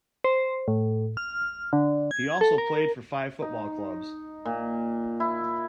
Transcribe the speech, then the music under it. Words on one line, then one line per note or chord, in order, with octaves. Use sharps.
He also played for five football clubs.
C5
A2
F6
D3
G#6
A4
A#4
D#4
A#2
E4